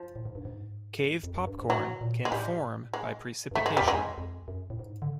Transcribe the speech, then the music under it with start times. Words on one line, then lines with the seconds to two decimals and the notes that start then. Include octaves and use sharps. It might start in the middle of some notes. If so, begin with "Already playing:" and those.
Cave popcorn can form by precipitation.
Already playing: F3
0.16 A2
0.25 G#2
0.35 G2
0.45 G#2
1.23 F2
1.35 F#2
1.47 G2
1.58 G#2
1.70 A2 F#3
2.01 A#2
2.25 G#3
2.32 A2 G3
2.93 G#3
3.51 G2
3.55 G#2 A3
3.66 G#3
3.77 E2 G3
3.86 F2 G#3
4.18 F2
4.48 F#2
4.70 A2
4.79 G#2
5.02 D3